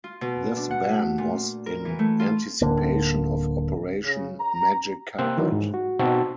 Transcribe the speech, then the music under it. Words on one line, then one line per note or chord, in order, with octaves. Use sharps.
This ban was in anticipation of Operation Magic Carpet.
F4
B2
D4
F#5
A3
A#2
A#4
E3
A3
F4
D1 D3 A#3
C#3
A#5
C3 A#3 C5 G5 E6 F#6
D#3 E3 F#3
G#2
F#4
B2 C4 D#4 F#4 A5 E6